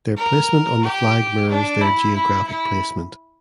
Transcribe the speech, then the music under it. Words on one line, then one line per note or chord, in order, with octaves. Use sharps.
Their placement on the flag mirrors their geographic placement.
A#4
G4
D4
E4
E4
E4